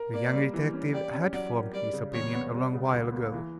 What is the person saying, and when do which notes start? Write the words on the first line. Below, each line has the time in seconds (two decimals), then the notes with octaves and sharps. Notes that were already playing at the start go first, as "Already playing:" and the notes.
The young detective had formed his opinion a long while ago.
Already playing: A#4
0.14 A#3 D5
0.33 G3
0.54 E3
0.73 C#4
0.94 G4 D5
1.14 C#4
1.33 F#3 D5
1.53 A#4
1.73 G3 D5
1.93 C#3
2.13 E2 C#5
2.33 B3
2.53 G3
2.73 C#3
2.93 C#2
3.13 A#3
3.33 E3